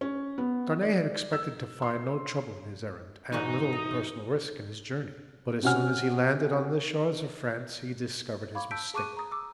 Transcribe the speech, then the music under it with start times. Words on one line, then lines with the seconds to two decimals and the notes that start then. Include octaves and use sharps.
Darnay had expected to find no trouble in his errand and little personal risk in his journey, but as soon as he landed on the shores of France he discovered his mistake.
0.01 C#4
0.38 B3
0.83 D5
1.33 E6
1.82 C6
3.32 E2 G#2 D#4 F#4 A#5
3.73 A#5 D#6
5.63 C3 C#4 F#4 F#5 G#5 F6
8.55 F5 B5 C#6 D6 G#6
8.71 A5 E6 G6 B6 D7
8.94 G#4 A5 C#6 D6 F#6 D#7
9.17 A#5 D#6
9.31 D6 E6